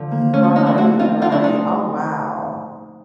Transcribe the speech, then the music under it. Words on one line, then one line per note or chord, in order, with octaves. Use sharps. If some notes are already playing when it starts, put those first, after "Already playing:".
Right, right oh, wow.
Already playing: D3 F3
A#3
A3 C#4
C#4
C4 C#4 D#4
D4 E4
A3 E4 F#4
C4 D#4 F4
C4 D#4 F4
D4 E4
D4 D#4